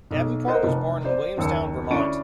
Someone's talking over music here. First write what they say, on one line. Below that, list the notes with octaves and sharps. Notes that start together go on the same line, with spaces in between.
Davenport was born in Williamstown, Vermont.
B1
A#4 C5 D#5 F#5
F1
C5 D5
F#1 D#2 E6 C#7
D2 C#4 D4 E4 C#6 D7